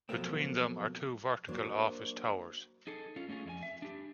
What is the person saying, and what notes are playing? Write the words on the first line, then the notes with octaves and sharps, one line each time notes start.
Between them are two vertical office towers.
B2 F3 F#3 A3 A#3 C4
F#3 A#3 D4 C5
D#4 G#4 A4
C#4 F4
A3 C#4 E4 F4 G#4
F2 E4 G#5
E5
D4 G4